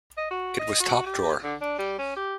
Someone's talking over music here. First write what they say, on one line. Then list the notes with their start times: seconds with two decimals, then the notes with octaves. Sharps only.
It was top drawer.
0.17 D#5
0.30 F#4
0.59 D#5
0.80 F#4
1.06 G4
1.43 D3
1.61 D4
1.79 G3
1.98 C#4
2.16 G4